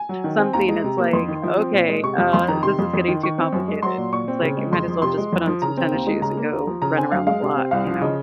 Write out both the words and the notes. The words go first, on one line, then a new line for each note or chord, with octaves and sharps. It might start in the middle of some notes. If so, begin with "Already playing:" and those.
something, it's like, "Okay, uh, this is getting too complicated." It's like, you might as well just put on some tennis shoes and go run around the block, you know?
Already playing: G#5
F#3
D#3
C4
D#2 A#5
G#3
C3
A#3
F2 C6
D#3
F3
C4
A#2
G#3
C3 C#6
F2
F2 C6
D#3 A#5
C3 C6
F2
F2
D#3
D#3 C#6
C4
F#2
G#3
F#3 C6
A#2
A#2 C#6
C4
C#3
G#3
F2 C6
F3
C3 C6
G#3
F2
F3
C#3 A#5
C4
D#2
G#3
C#3 A#5
A#3
D#2
F3
C#3 A#5
C4 G#5
F#2 F5
G#3 F5
C3
C4
C2 F5
F3
C#3 D#5